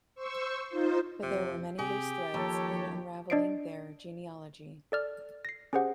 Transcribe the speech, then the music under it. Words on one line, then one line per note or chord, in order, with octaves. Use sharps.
But there were many loose threads in unravelling their genealogy.
C5 C#6 E6
D#4 F4 C5
F2 C3
C3 G4 G#4
D#2 F3 A4 C#5
D4 D5 D#5 C7 D7
A4 D5 F6
A#6 C7
C#4 G4 G#4 C5 F#5